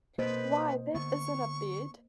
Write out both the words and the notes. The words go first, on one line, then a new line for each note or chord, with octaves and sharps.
Why, that isn’t a bed!
B2 A#3 B4 C5 D#5
D3 B3 C#6